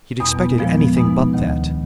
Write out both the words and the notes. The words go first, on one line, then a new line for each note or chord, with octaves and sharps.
He had expected anything but that.
E2 B2 G3 B3 D#6
A#2 F3 G#3 B3
B2 G#3 B3 D#4
D2 C3 D#3